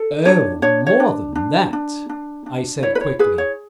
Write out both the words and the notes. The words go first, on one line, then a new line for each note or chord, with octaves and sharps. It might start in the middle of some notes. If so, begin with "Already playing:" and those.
"Oh, more than that," I said quickly.
Already playing: A4
D4 C#5
D4 C#5
C#5
D4
D4
D4
D4
D4
E4 C#5
B4
C#5
G#4 B4
C#5